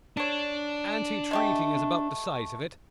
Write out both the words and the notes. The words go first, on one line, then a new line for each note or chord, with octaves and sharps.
Antitreating is about the size of it.
D4 A4 C#5
G#3 A3 G4